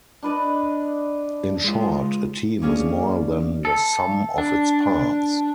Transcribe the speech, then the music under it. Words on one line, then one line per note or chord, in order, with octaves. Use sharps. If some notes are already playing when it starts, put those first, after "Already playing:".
In short, a team is more than the sum of its parts.
D4 B4 D5 D#5
G#3 F4
A#3 C#4 D4 G#4
A4
D4